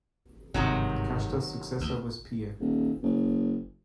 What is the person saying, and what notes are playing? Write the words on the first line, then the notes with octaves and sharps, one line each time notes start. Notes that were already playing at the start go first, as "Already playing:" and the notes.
Kashta's successor was Piye.
G1 G#2 C3 D#3 F#3
D2
D#1
F#1